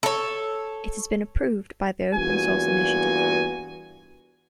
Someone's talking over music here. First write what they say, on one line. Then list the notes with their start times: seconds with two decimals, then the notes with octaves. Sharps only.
It has been approved by the Open Source Initiative.
0.03 A4 C#5
2.15 E2 G2 A#2 F#4 G#5